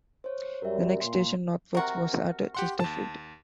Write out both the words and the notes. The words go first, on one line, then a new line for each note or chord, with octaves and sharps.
The next station northwards was at Chesterfield.
C5 C#5
F#2 G3 A#4 C#5 E5
A#2 C6
C3 F#4 A#4
G4 F#5 C6
D#2 A5